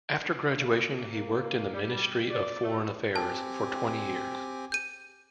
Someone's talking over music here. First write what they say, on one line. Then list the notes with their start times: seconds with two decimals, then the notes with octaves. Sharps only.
After graduation, he worked in the Ministry of Foreign Affairs for twenty years.
0.59 A#3
0.96 A#3
1.73 G3
2.31 D5
2.63 A3
3.16 C4 G4 G#5 A5
4.72 G6 D#7